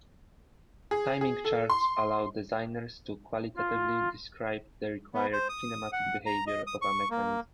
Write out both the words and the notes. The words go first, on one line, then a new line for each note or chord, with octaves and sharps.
Timing charts allow designers to qualitatively describe the required kinematic behavior of a mechanism.
G#4
G#4
A4
C6
F4
B3
C5
D#6
F#5
A#5
D#5
D#6
C#6
A#3